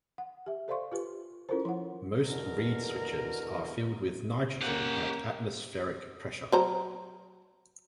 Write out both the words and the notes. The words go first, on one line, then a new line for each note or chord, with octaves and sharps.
Most reed switches are filled with nitrogen at atmospheric pressure.
F#5
G4 E5
A4 C5 D5 F5 C6 C#6
F4 G4 B4
C#4 E4 F4 A4 A#4 C5
F3 E4 F#5
E2 B2 D3 A#4
A#3 C#4 G4 F#5
F#3 C5 A#5